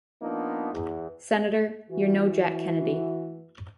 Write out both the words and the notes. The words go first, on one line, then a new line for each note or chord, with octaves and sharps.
Senator, you're no Jack Kennedy.
F3 A#3 B3 D4 D#4
E2
E3 F#4